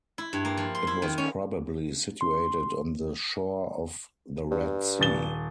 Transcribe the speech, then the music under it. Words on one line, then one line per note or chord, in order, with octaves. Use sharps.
It was probably situated on the shore of the Red Sea.
E4
G2
A#3
F3
C6
E4
D#3
C#4
C6
G2
D#1 A6 G7